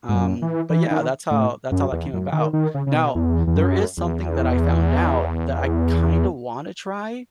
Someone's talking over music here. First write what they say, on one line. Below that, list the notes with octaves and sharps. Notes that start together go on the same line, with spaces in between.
um but, yeah, that's how that's how that came about. Now there is something that I found out that I kinda wanna try,
G#2
F#2
E3
E3
D#3
A2
F#2
E2
F#2
D#3
D#3
C#3
C#3
B2
E2
E2
F#2
E2